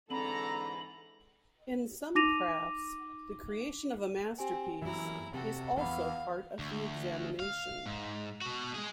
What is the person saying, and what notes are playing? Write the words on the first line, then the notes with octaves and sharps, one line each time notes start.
In some crafts, the creation of a masterpiece is also part of the examination.
G#2 D3 E3 C4 A4 A#5 B5
D#4 D6 A#6 D#7 F7
C4 G4 G#5
F#2 E3 E4 A#5
C3 F#4 A4
E2 F5 F#5 B5
D2
F5
G#2
B2 F#4
G#3 G#4